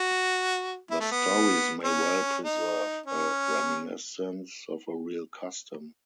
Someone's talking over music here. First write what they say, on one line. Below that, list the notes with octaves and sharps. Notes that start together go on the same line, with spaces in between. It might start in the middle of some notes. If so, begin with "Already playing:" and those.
The stories may well preserve a reminiscence of a real custom.
Already playing: F#4
E4
A3
B3
C#4
D#4
C#4